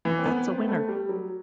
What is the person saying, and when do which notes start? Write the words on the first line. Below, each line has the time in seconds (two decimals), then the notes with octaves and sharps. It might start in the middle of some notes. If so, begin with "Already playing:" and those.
That's a winner!
0.05 E3
0.19 C4
0.26 B3
0.47 C4
0.58 B3
0.68 A3
0.89 G3
1.09 F#3